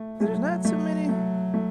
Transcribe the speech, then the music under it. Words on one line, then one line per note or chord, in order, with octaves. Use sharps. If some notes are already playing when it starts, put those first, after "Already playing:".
there's not too many
Already playing: A3
F#3 A3
A3
A3
A3